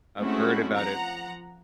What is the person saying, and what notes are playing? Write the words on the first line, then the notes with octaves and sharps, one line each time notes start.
I've heard about it.
G#3 A3 C4 C#4 E4 F#4
F3 F#5 A#5